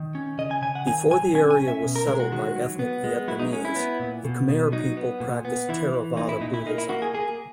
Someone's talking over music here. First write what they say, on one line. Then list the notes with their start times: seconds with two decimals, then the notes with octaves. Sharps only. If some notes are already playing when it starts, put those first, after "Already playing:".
Before the area was settled by ethnic Vietnamese, the Khmer people practiced Theravada Buddhism.
Already playing: D#3
0.15 C#4
0.38 C#3 D#5
0.51 G#5
0.62 C#3 G#5
0.75 F#5
0.87 D#3 G#5
1.11 F#3 G#5
1.35 C#4 G#5
1.51 G#5
1.60 C#4
1.68 E5
1.83 B2
1.96 A#4
2.07 G#3 A#4
2.20 F#4
2.32 D#3 F#4
2.56 F#3
2.79 B3
3.04 G#3
3.28 F#3 E4
3.39 D#4
3.53 C#4
3.65 E4
3.76 B3
4.00 A#2
4.25 B2
4.49 B2
4.72 F#3 D#4
4.97 B3
5.20 A#2
5.45 B3
5.69 E3 E4
5.93 E3
6.17 A#2 D#4
6.29 E4
6.41 A#2 D#4
6.54 E4
6.66 A#3 D#4
6.78 E4
6.89 A#3 F#4
7.02 G#4
7.14 A#3 G#4